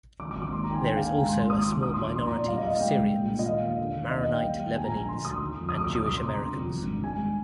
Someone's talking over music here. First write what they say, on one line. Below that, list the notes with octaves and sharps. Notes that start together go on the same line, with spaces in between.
There is also a small minority of Syrians, Maronite Lebanese, and Jewish-Americans.
G#1 D6
D6
G#1
D6
D#2 C6
A#5
D#3 G5
G#5
D3 G5
D#2 F5
G#5
G#2 A#5
C6
G#1
C6
D#2 D#6
D6
D#2
D6
D3 D#6
C6
F3
D6
A#2 C6
A#5
A#2
D5
G3 F5
D#5
G3 F5
G#3 G5
C2
A#2
A#2
D#5
D#2 F5
D#2
D3
D#2
D#2 D#5
F5
D#2
G5
G3
G3
A#2 G#5
A#5
A#1 G#5
D3 C6
D2 D#6
D#3
F2
D#6
D2 D6
D6
D2
D#6
C2 D6
C6
C3
A#5
D3
F2
G#1
G2
G#3 G#5